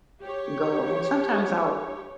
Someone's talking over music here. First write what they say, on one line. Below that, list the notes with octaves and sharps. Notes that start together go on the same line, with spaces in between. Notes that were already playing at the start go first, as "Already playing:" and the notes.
go, and sometimes I'll
G4 C#5